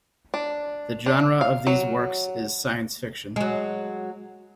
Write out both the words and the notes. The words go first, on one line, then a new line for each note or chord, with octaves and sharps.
The genre of these works is science fiction.
D4
D4
F5
F#3
F#3 G#3